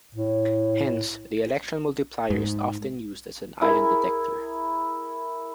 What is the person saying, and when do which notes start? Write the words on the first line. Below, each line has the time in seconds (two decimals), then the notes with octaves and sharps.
Hence the electron multiplier is often used as an ion detector.
0.15 A2
2.30 G#2
3.61 E4 G#4 A#4